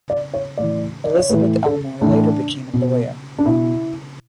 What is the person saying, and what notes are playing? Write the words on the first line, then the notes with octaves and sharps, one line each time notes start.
Elizabeth Elmore later became a lawyer.
D5
C#5
A2 E3 D5
D5
C#5
A2 E3 B4
A4
A2 E3 D4
B2
D4
B2 E4